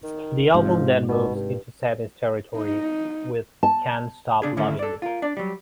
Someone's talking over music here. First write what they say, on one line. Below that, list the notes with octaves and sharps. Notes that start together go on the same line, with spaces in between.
The album then moves into Sammy's territory with "Can't Stop Lovin' You".
D#3
G#2 C3 F3
B2
G2
D#4
A5
C#3 D4 G#4
D3 D#3 A3 C#4 E4
A4 D5
F4 A#4
D4 D5
F#3 G3